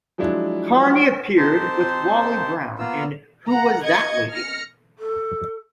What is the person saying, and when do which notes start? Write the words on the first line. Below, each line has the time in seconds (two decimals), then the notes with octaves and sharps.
Carney appeared with Wally Brown in Who Was That Lady?
0.18 F3 F#3 G#3 D4 E4
1.37 C4 D#4 G4 C5 A5
2.79 A#3 B3 F4 A#4 E6
3.47 F#5 A#5
3.83 D#5 G#6 C#7
4.33 F6 A#6 C#7
4.99 A4